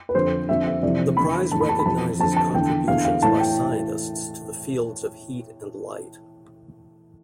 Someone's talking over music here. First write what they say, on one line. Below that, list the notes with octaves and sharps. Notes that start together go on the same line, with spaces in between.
The prize recognizes contributions by scientists to the fields of heat and light.
B4
F2 D3 C5
F2 D3 E5
E5
F2 C3 E3 D5
E2 D3 B5
A2 E3 A5
B5
A5
B5
F2 E3 A5
F2 D3 A5
A5
E2 D3 G5
E2 D3 F5
F5
A2 E3 A5
G5